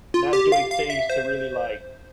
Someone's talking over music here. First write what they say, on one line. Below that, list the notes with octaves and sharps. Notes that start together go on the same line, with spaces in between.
not doing things to really, like,
F4
G4
F5
F5
E5
C5